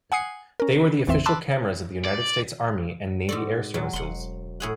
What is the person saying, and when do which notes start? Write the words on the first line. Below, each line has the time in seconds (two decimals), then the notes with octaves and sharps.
They were the official cameras of the United States Army and Navy Air Services.
0.12 F#5 G#5 D#6 C7 C#7
0.60 C#4 A#4
1.07 A1 F2 E3 C4 E5 C6
1.26 A5 B5 C6 D6 E6 F#6
2.04 D5
3.29 G#2 F#4 A4 D5
3.74 A#2 F#3
3.93 E1 F#5 C6
4.60 A2 G#4 F#5